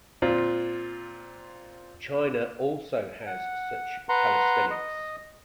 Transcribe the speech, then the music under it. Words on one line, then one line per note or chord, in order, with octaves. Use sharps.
China also has such calisthenics.
A#2 C4 F4
F#5
B4 F#5 A#5 C6
D#5